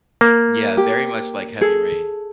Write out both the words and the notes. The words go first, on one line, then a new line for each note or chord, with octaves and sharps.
Yeah, very much like Heavy Rain.
A#3
G4
G#4 A4